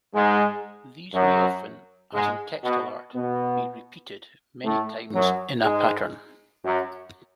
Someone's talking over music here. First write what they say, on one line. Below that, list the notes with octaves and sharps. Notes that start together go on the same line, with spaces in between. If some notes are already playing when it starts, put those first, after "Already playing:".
These may often, as in textile art, be repeated many times in a pattern.
G#2 G#3
F#2 F#3
G#2 G#3
B2 B3
B2 B3
A2 A3
F#2 F#3
G#2 G#3
F#2 F#3